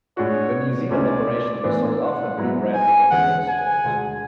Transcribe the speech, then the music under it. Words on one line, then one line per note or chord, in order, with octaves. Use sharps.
The New Zealand operations were sold off and rebranded as Fix stores.
A2 G#3 D4 F#4 C#5
C#2 B2 A3 C#4 D5
A2 E3 B3 D4
F#5
G#2 F#3 B3 E4
G#5
E2 D3 G#3 C#4 F#5
G#5
D2 D3 G#3